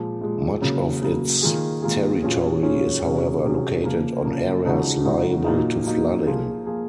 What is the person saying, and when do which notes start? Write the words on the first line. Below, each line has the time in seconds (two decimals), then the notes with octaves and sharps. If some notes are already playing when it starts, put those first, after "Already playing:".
Much of its territory is however located on areas liable to flooding.
Already playing: A#2 F3 G#3
0.21 A#2 F3 G#3
0.61 C#3 F#3 A#3
1.02 C#3 F#3 A#3
1.42 D#3 A#3 F4 G#4
1.82 D#3 A#3 F4 G#4
2.22 A#2 F#3 C#4 F4 G#4
2.63 A#2 F#3 C#4 F4 G#4
3.03 C3 F#3 C#4 G#4
3.44 C3 F#3 C#4 G#4
3.83 C#3 F3 A#3
4.24 C#3 F3 A#3
4.65 C#3 F3 G#3 D#4 F#4
5.05 C#3 F3 G#3 D#4 F#4
5.45 A#2 F#3 A#3 D#4
5.85 A#2 F#3 A#3 D#4
6.26 F3 A#3 F4 G#4
6.65 F3 A#3 F4 G#4